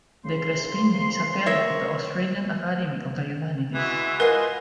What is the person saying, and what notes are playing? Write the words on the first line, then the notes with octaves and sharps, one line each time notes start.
De Crespigny is a Fellow of the Australian Academy of the Humanities.
C2 C#3 C6
A#4 C#5 E5
E3 G#3 E4 F#4
F4 A#4 B4 D#5 F#5 G#5 C6